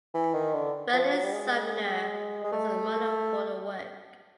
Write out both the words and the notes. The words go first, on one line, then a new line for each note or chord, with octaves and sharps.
Verlyn Sumner was the model for the work.
E3
D#3
D3
F3
F#3
G3
G#3
G#3
A3